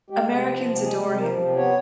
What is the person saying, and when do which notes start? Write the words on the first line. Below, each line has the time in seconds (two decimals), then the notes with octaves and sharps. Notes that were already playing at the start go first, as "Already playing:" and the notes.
Americans adore him.
0.10 G#3 G4
0.29 C3
0.47 F3
0.65 C3
0.83 G#3 G#4
1.01 C3
1.19 F3 A#4
1.37 C3
1.56 B3 C#5